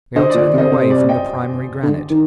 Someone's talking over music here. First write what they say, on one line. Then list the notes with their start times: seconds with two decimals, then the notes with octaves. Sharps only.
We are turning away from the primary granite.
0.16 D3 C5 D#5
0.30 A#2 D5
0.43 D5
0.54 C3
0.58 C5 D#5
0.72 C3 C5
0.90 D5
1.09 D#5 G5
1.83 D3
2.10 D#3